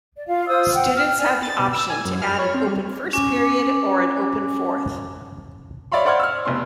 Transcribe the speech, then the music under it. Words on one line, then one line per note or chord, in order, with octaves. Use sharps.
Students have the option to add an open first period or an open fourth.
D5
F4 F5
F4 C5 D#6 E6
F#5 G5
G5 F6
D5 G#5
A6
B2
E6
G#5
F#2
F6
C#5
C4
G3
C#4 G#5 D6
C#5 D5 E5 F5 B5 C6
C5 D5 F#5 C6 F6 G#6
E6 F6
F1 B2 C6